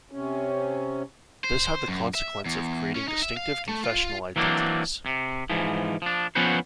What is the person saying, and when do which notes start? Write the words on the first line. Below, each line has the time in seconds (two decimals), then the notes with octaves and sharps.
This had the consequence of creating distinctive confessional identities.
0.11 C3 C#4
1.44 C5
1.88 F#2
2.15 E5
2.46 E2
2.95 C#4
3.08 D#4
3.22 E5
3.37 F5
3.69 A3
3.84 F4
4.36 E3 F#3 A#3 C4 D4
5.06 C3
5.50 G#2 E3 F3
6.02 F3 D4
6.35 F3 B3 C#4 F#4 B4 C5